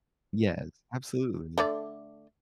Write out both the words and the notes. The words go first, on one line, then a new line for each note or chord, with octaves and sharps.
Yes. Absolutely.
D3 A3 D5